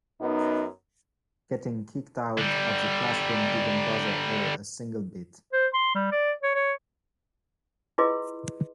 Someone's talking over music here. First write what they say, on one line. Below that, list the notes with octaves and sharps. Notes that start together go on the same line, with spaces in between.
Getting kicked out of the classroom didn't bother her a single bit.
F#2 B3 D#4
D3 G3
C5
C6
G3
D5
C#5
C#5
E4 F4 G#4 B4 D#5 C6